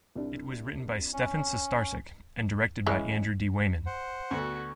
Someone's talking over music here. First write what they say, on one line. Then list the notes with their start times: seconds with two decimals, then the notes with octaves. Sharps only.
It was written by Stephen Sustarsic and directed by Andrew D. Weyman.
0.15 C2 D4
1.13 C#4
2.86 C#3 E3 G#3
3.86 C5 F#5
4.31 D2 B3 F#4 A4